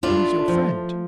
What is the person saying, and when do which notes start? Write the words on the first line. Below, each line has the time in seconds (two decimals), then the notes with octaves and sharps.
"Who is your friend?"
0.03 A3 D4 F4
0.48 F3